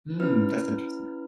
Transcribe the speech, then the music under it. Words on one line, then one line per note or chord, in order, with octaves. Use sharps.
Hmm, that's interesting.
C#4 E4 B4 F6